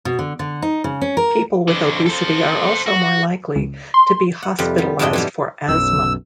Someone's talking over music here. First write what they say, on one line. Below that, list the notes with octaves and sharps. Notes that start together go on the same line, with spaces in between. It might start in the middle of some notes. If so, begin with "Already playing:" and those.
People with obesity are also more likely to be hospitalized for asthma.
B2
D3
D3
D#4
C#3
C#4
A#4
F2 D3
A4 C5
F#4
C#2
C6
F#5
F2 C3 G3 B4
G3 B3
F2 G#2 C3 D4 D#5 G5
E3 F#3 G3
B1 F#2 E6